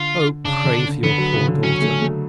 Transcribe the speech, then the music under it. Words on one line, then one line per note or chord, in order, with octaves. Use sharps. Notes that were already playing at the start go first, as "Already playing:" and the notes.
O pray for your poor daughter.
Already playing: D3 F4
C#3 D4
D3
D3 B3
F#3
C#3
D3
F#3 C#4
A3
A3